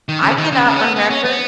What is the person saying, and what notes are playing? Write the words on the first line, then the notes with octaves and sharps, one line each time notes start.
I cannot remember.
D#3
C#3
D#3
C#3
C#3
C#4
B3
B3
C#4
B3